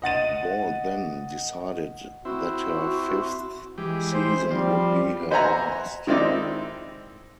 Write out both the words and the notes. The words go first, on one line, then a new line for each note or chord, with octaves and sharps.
Ball then decided that her fifth season would be her last.
D#5 F#5 A6 D#7
C4 E4 F#4
E3 G#3 G4
C5
F3 G3 C4
B4 C5 E5 F#5 G#5 A#5
D#3 G#3 C4 D#4 E4 D5